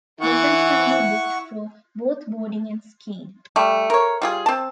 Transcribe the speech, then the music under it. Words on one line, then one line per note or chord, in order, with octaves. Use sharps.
Lessons can be booked for both boarding and skiing.
E3 E4 E5 F#5 C#6
G3 A3
A#4 C#5
G3 F4 G#4
C4 A5